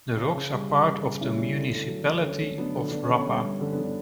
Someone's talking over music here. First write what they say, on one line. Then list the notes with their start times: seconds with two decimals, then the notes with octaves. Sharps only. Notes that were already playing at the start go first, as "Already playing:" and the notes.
The rocks are part of the municipality of Rapa.
0.17 C#3 C#4
0.35 C#3
0.52 G3
0.69 G3
0.87 C#3
1.03 C#3
1.20 G3 C#4 E4
1.38 G3
1.55 D3
1.72 A3
1.89 F#3
2.06 D3
2.23 D3 C#4
2.40 A3
2.58 F#3 B3 D4
2.75 D3
2.91 D3 B3 D4
3.04 C#4
3.09 D3
3.15 B3
3.26 G3
3.44 G3
3.60 D3 C#4
3.72 B3 D4
3.78 D3
3.83 B3 D4